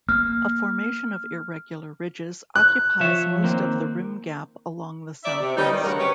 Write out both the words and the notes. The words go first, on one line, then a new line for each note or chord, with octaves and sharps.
A formation of irregular ridges occupies most of the rim gap along the southwest.
A#3 F6
F#6
F3 C#5 E5
D#3 A#3 C4
D#4 D5 E5
C3
E3 G3 C#4 D#4
D#3 G3
D2 G2 C#3 C#4 F#4 A#4
C4 C#4 G4 B4 C#5